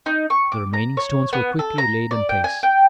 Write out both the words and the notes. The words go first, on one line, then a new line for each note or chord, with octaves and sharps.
The remaining stones were quickly laid in place.
D#4
C#6
D6
A#5
C#5
B3
A4
A#5
D5
G5
G#5
G5